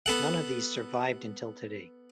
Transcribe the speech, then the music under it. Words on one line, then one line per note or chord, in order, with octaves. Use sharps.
None of these survived until today.
B3 A4 F#5